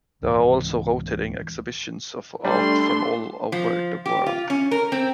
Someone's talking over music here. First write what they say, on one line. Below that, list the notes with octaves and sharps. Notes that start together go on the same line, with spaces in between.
There are also rotating exhibitions of art from all over the world.
C#2 G#2 E3
G3 A3 D4 C6
F3
G4
F4
C#4
A#4
C4